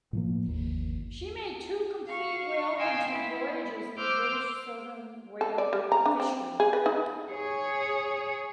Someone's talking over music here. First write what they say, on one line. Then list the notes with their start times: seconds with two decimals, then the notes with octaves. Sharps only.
She made two complete whale hunting voyages in the British Southern Whale Fishery.
0.13 A2 F3 A#3
0.47 G1 D#2
2.07 F5 C#6
2.77 D#5 F5 G5 G#5 C6 E6
3.07 B3 E4
3.97 C5 D6 E6 F6 G6
5.41 A4
5.58 D5
5.73 G3
5.92 A#5
6.06 D4
6.20 C4
6.60 G#4
6.73 B4
6.86 D#4
7.31 G#4 C#5